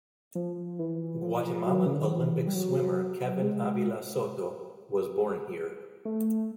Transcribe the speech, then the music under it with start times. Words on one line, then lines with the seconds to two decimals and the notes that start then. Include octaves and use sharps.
Guatemalan Olympic swimmer Kevin Avila Soto was born here.
0.35 F3
0.79 E3
1.22 F3
1.67 F#3
1.86 C#3
1.93 D3
2.02 D#3
2.10 E3
2.47 G3
2.55 F#3
3.42 G#3
6.05 A3